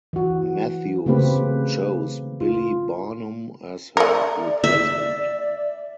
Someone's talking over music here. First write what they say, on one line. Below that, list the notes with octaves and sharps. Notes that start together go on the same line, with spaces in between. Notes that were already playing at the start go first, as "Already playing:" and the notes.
Matthews chose Billie Barnum as her replacement.
E3 F#4
C#3 A3 A#3 C4 G4 B4
F4
A3 A#4 D5
E5